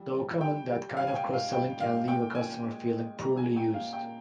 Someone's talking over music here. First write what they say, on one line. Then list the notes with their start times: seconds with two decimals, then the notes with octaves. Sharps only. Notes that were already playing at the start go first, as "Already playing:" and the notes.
Though common, that kind of cross-selling can leave a customer feeling poorly used.
Already playing: F3 G3
0.13 G3
0.41 G3 G5
0.69 G3
0.96 G3 F5
1.07 G#5
1.15 G5
1.25 G#2
1.33 F5
1.52 G3 G5
1.80 G#2 F5
2.07 A#2 G5
2.35 A#2 G#5
2.63 G#3
2.91 G#3
3.19 G3 A#5
3.37 G#5
3.47 G3
3.56 G5
3.74 A#2 F5
3.93 G5
4.02 A#2